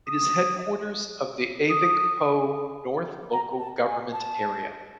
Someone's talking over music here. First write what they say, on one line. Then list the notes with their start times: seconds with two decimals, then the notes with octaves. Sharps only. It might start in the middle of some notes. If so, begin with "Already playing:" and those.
It is the headquarters of the Afikpo North Local Government Area.
0.07 D#6
1.69 D#6
3.32 A#5
3.59 A5
3.87 G#5
4.13 A5